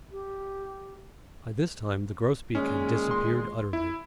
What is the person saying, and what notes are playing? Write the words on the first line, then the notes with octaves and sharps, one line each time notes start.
By this time the grosbeak had disappeared utterly.
G4
A#2 D#3 G#3 C#4
C6
E4